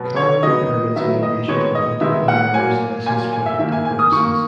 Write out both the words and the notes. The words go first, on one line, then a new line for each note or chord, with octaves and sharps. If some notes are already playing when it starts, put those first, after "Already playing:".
Carrying permits may be issued for hunting firearms licensed for hunting purposes.
Already playing: B2 F#3 B3
C#5
D#3 F#3 B3 D#5
D#3 F#3 B3 E5
D#5
D#3 G#3 B3 C#5
D#5
D#3 G#3 B3 E5
F#5
A#2 F#3 A#3 G#5
A#2 F#3 A#3 G#5
G#5
G#5
E5
D#3 A#3 E5
G#5
G#5
D#6
D#3 A#3 C#6